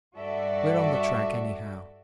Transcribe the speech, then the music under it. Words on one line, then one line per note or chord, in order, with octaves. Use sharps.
We're on the track anyhow.
G2 F#4 A4 D5 E5